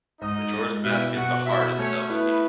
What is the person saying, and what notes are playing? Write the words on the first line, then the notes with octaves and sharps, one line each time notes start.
Majora's Mask is the hardest Zelda game.
G#2 D#4 D#5
G#3
B2 E4 E5
B2 F#4 F#5
E4 F#4 E5
A3 C#4 C#5
B3 E4 B4